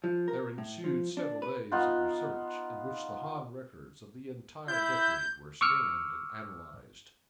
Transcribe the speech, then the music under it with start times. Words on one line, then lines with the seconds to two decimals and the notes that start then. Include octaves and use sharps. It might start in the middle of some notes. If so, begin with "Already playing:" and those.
There ensued several days of research, in which the Han records of the entire decade were scanned and analyzed.
0.04 F3
0.28 A#4
0.58 A2
0.84 F3
1.17 D4
1.42 B4
1.72 B3 D#4 F4 F#5
4.68 E4 G6
5.61 C#6 D6 E6 F6 C#7